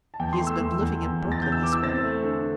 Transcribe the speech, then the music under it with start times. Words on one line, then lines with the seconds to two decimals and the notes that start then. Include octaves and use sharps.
He has been living in Brooklyn this winter.
0.14 A5
0.20 E2 G5
0.33 C6
0.41 A3
0.47 E6
0.60 E2
0.81 E2
1.02 E2
1.22 E2
1.32 A6
1.42 E2 G6
1.52 E6
1.62 E3 D6
1.73 E6
1.83 C4 A6
2.03 A3
2.23 D3